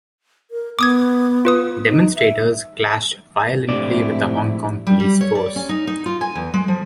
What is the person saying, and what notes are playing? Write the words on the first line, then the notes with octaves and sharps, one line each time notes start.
Demonstrators clashed violently with the Hong Kong Police Force.
A#4
B3 D6 D#6 G#6
F4 B4 D#6
D#4
E5
A2 C3 F3 G#3 D4 E4 D5
G3
G3
C#5
D5
C#4
D#4
D#4
F4
G#5
E2
G#3
F3